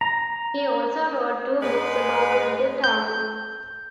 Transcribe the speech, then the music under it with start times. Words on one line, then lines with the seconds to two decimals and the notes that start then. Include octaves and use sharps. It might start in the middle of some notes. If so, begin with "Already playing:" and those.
He also wrote two books about the town.
0.01 A#5
1.62 G#2 G#3 B4
2.84 G6